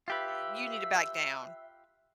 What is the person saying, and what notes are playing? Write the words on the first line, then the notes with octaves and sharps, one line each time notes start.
you need to back down
F4 G4 B4 E5 E6